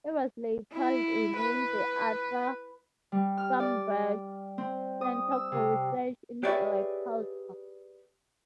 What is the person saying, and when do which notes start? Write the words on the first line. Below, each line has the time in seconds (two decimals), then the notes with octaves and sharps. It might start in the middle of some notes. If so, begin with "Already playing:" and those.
It was later renamed the Arthur Schomburg Center for Research in Black Culture.
0.73 E4
1.37 B4
3.12 G3
3.37 F6
3.60 D5
4.58 C4
5.01 D#6
5.32 E6
5.52 C3
6.43 G4 G#4 B4 C#5 D5 E5